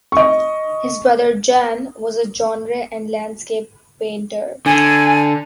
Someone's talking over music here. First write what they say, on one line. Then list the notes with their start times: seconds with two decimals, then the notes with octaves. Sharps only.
His brother Jan was a genre and landscape painter.
0.12 D#5 C#6
4.66 D3 G#5